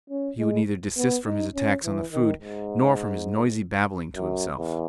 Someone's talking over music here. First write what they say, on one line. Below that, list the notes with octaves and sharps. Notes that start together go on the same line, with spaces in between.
He would neither desist from his attacks on the food nor from his noisy babbling to himself.
C#4
G#3
B3
D#4
C#4
E3
D#3
G#2
F#2
E2